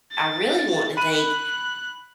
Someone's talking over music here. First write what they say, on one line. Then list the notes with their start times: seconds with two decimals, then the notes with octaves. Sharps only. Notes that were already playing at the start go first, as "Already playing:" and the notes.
I really want to think
0.12 A6
0.97 B5 F#6 D#7